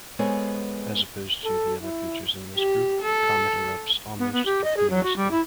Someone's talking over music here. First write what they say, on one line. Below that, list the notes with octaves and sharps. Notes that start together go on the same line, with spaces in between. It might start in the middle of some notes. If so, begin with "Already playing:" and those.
As opposed to the other features in this group, Comet erupts almost continuously.
G#3 B3 A4 C5 C#5
A4
E4
G4
A4
B3
B3
G4
D#5
G#4
F#3
F#4
G3
E4